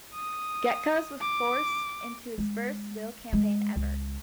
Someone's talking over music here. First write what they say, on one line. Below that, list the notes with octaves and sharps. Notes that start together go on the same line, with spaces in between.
Gekas was forced into his first real campaign ever.
D#6
D6
G#3
G#3
C#2